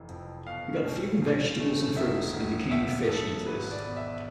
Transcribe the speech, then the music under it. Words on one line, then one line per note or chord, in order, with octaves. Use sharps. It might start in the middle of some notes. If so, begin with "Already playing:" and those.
We got few vegetables and fruits, and became fish eaters.
Already playing: F1 E3
F2
B2 F5
B1
B1
A3
E1 E5
E1
E1 E5
E1 A4
G#1 B4
D5
B3
E5